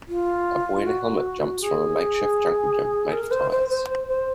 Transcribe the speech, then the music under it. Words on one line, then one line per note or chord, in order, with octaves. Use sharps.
A boy in a helmet jumps from a makeshift junglegym made of tires.
F4
F#4
G#4
A#4
C5
C5
C5
C5
C5